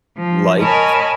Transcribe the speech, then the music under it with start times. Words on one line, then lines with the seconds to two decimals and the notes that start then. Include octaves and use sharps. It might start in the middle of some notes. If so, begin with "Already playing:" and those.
like f
0.18 F3
0.60 A#4 C#5 D#5 G#5 A5 B5